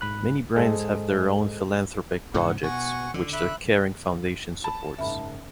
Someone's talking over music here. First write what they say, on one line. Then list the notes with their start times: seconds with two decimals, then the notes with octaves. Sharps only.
Many brands have their own philanthropic projects, which the Kering Foundation supports.
0.01 G#2 B5 F#6
0.56 G#2 G#3 G#4 A4 C5 D#5
2.34 G#2 C#3 F3 F#5
2.63 B2 F#5 G#5 C#6
3.14 D3
3.33 E5 B5 F#6
4.64 A5 B5
4.98 F#1 G#2 E5 B5